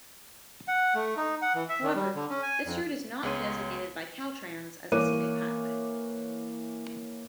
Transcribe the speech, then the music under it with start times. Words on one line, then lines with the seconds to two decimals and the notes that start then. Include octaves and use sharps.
However, this route is not designated by Caltrans as a scenic highway.
0.68 F#5
0.95 A3
1.17 D#4
1.42 F#5
1.55 E3
1.69 E5
1.83 D#3
1.95 G3
2.15 D3
2.30 C#4
2.43 G#5
2.66 F2
3.23 C#2 B3 G#4 C#5 C6 D#7
4.92 E3 A#3 C#5 D6 F#6 D#7